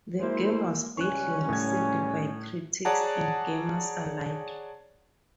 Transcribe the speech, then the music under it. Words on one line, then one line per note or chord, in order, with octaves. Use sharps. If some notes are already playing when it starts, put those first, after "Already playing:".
The game was badly received by critics and gamers alike.
G#3 A#3 E4 C5
C#2 G3 C#4 C#6 F#6
A2 G#6
G#4 C#5 D5 F#5 A5 A#5